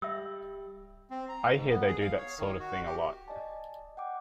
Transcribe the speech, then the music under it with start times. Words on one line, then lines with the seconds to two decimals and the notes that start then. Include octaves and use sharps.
I hear they do that sort of thing a lot.
0.02 G3 D#5 E5 E6
1.10 C4
1.29 A#5
1.55 G#2
1.69 B3
1.87 G#4
2.01 F5
2.17 C#5
2.38 D#3
2.59 F#4
2.86 G4
3.28 D5 D#5 G#5 A5
3.97 F#5 G5 D6